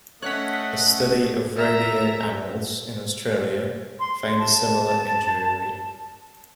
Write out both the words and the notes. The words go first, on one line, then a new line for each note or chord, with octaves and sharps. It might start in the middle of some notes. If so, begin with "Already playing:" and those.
A study of rodeo animals in Australia found a similar injury rate.
A3 C#4 C#5 D#5 F#5 F#6 B6
E5 A#5
C6
A5